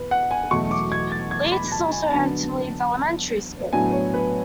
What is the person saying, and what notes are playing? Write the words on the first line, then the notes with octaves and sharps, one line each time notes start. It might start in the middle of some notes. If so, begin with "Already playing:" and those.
Leeds is also home to Leeds Elementary School.
Already playing: E2 B2 B4
F#5
G#5
E2 B2 F#3 A3 C#6
D6
G#6
A6
G#6
B5
A5
G#5
D3 F#3 B3 D4 A5
A2 F#3 B3 D4 G#5
C#5
B4